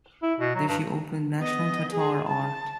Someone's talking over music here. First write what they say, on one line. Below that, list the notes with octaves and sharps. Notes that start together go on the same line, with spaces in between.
There she opened national Tatar art.
E4
B2
F#3
G2
B3 D#5
G#4
A5